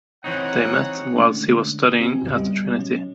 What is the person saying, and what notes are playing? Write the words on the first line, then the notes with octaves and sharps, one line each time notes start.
They met whilst he was studying at Trinity.
E3 C4 D#4 C#5 F#5
B2 D3 G#3 A3 C#4 D4
C4 F#4 G4 D#5 G#5
A#1 E2 A2 C#3 E4 G4
G3 B3 D#5
B2 F#3 C#4